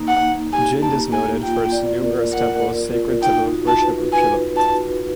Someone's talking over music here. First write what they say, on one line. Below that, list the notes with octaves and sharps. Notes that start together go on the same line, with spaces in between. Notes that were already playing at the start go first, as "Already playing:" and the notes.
Jind is noted for its numerous temples sacred to the worship of Shiva.
Already playing: A#3 D#4
F#5
D#4
G4 G#5
A#3 A5
A#3 G#5
F4 G5
D5
A#4
A#4 F#5
A#4
F4
D#4 G5
F#4
A5
B4
B4 G#5
B4
A5
F#4